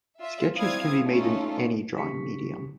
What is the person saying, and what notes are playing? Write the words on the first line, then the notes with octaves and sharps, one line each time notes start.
Sketches can be made in any drawing medium.
F4 E5
C4 D4 E4 F5 D#6 G#6
A3 C#4 D#4 F4 A4
C#3 C#4 G4 C#6 B6 C#7